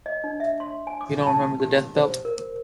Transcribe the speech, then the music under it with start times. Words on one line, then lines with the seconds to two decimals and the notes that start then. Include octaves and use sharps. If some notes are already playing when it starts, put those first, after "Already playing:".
You don't remember the Death Belt?
0.06 D#5
0.24 D4
0.40 E5
0.60 C6
0.87 G#5
1.01 D6
1.27 A5
1.60 G4
1.96 C5
2.25 A#4